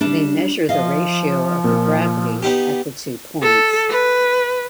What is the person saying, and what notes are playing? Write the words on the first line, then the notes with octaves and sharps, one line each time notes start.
They measure the ratio of the gravity at the two points.
G3 D4
F3 D#5 F5
A#2
B3 D#4 G4
A4
B4